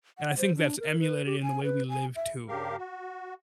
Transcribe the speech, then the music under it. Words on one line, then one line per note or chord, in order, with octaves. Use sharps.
And I think that's emulated in the way we live, too.
F#5
C5
D4
A#4
B4
G4
G#5
B4
G#5
E5
G2 C#3 G4 A#4 F5
F#4